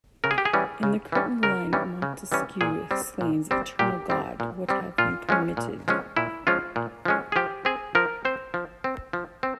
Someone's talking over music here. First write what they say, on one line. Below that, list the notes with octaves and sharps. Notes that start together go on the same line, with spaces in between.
In the curtain-line Montesquieu exclaims Eternal God, what have you permitted!...
C#3 A#4
G#4
G4
G#4
E3 G3 C#4
C#3
E3 G3 C#4
C#3 A#4
E3 G3 C#4
C#3
E3 G3 C#4
A#2 G#4
G3 C4
A#2
G3 C4
A#2 G4
G3 C4
A#2
G3 C4
A#2 F4
F3 G#3 C#4
A#2
F3 G#3 C#4
A#2 E4
F3 G#3 C#4 F4
A#2
F3 G#3 C#4
G#4
F3 G4
C4 G#4
F3 A#4
C4 C5
F3
C4
F3
C4